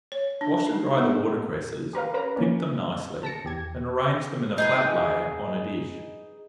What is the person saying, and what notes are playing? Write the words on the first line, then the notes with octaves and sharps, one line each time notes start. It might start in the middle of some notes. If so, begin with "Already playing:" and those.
Wash and dry the water-cresses, pick them nicely, and arrange them in a flat layer on a dish.
C#5
D4
D#4
B3
G4 A#4 B4 F5
C#4 A#4 B4 A#5
F3 A#3 C#4
A5 A#6 C#7
E2 G4 G#6
D#4 G#4 B4